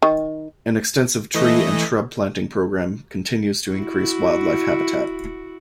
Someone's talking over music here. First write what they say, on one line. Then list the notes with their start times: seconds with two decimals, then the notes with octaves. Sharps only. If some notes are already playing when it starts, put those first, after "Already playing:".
An extensive tree and shrub planting program continues to increase wildlife habitat.
0.02 D#3
1.34 E3 A3 D#5
3.71 E4 F#4